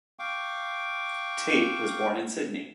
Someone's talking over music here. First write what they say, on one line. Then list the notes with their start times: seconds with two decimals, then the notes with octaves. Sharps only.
Tate was born in Sydney.
0.19 F5 G5 C#6 D6